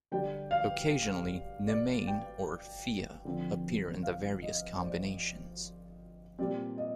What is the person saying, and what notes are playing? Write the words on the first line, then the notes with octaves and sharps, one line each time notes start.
Occasionally Nemain or Fea appear in the various combinations.
D3 G3 D4 G5
F5
D5
G5
D3 F3 C4
F5
D#5
C5
D5
A#2 G3 C4 D5
D#5